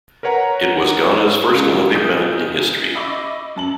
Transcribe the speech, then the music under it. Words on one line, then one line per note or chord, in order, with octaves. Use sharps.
It was Ghana's first Olympic medal in history.
A#4 B4 C#5 F#5 A#5
A#1 C#3 G#3 F4
B1 G#4 D#6 G6
D#5 E5 B5 C#6 D6 E6
F#2 A5 F#7